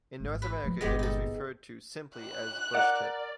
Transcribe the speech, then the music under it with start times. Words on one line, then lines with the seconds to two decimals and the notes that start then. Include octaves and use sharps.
In North America, it is referred to simply as "bushtit".
0.20 G#1
0.42 B4
0.64 F3
0.81 G1 A#2 G#3 B3 G4
0.99 D#4 A4
2.16 F#6
2.75 A#4 D5 F#5